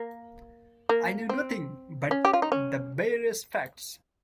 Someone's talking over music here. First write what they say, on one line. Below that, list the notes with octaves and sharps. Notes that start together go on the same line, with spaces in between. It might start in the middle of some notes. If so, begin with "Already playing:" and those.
I knew nothing but the barest facts.
Already playing: A#3
A#3
C4
C#4
G4
F4
D#4
C#4